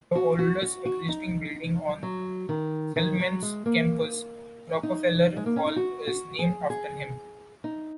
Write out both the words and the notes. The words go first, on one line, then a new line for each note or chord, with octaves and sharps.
The oldest existing building on Spelman's campus, Rockefeller Hall, is named after him.
F#4
F#4
F#4
F#4
D#4
F#3
D#3
D#3
F#3
G#3
A#3
D#4
G#3
A#3
C#4
D#4
F#4
F#4
G#4
G#4
D#4